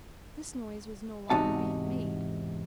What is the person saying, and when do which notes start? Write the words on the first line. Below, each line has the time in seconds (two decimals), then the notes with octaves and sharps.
This noise was no longer being made.
1.30 E2 G#2 C3 D#4 F#4 A5